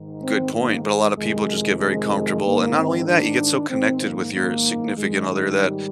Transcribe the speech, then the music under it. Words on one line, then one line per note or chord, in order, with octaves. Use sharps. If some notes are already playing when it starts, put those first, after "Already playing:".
Good point, but a lot of people just get very comfortable, and not only that, you get so connected with your significant other that
Already playing: G#2 D#3
C4
A#3
G#3
F2 C3 D#3 G#3
G#3
G#2 D#3 A#3
C4
D4
G#2 D#3 C4
A#3
A#3
G#2 D#3 G#3
G#3
G3